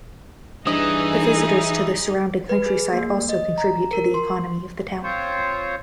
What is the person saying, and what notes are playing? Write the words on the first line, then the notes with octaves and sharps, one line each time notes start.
The visitors to the surrounding countryside also contribute to the economy of the town.
G2 E3 D#4 G#4 D#5
B4
G#4
A#3
D#5
A#5
A#4
C6
C4 F4 C5 C#5